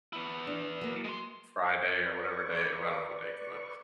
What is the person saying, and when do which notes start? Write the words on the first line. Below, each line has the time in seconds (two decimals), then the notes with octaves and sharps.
Friday or whatever day I don't know what day it came out.
0.13 B3 E4
0.47 D4
0.81 F#3 A#3
1.04 G#3 C6
2.05 B4 D5 C#6